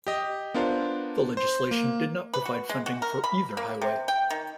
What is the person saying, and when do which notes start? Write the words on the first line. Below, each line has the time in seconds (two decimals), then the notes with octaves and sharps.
The legislation did not provide funding for either highway.
0.07 G4 D#5
0.54 B3 D4 F4 A#4 C5
1.37 C5
1.71 A#3
2.34 B4
2.45 F#4
2.69 G#3
2.86 F#4
3.02 A#4
3.24 B5
3.57 A#3
3.82 C3
4.08 G5
4.30 D#3